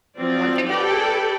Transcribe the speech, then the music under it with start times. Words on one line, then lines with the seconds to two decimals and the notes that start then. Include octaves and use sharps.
One thing that worked
0.18 F3 F#3 C4 F4 D5
0.69 G4 A4 B4 D5 G5